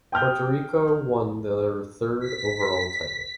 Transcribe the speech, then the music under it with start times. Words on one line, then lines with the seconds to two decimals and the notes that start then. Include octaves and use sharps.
Puerto Rico won their third overall title.
0.12 G5 D#6 F6 G6
2.19 B6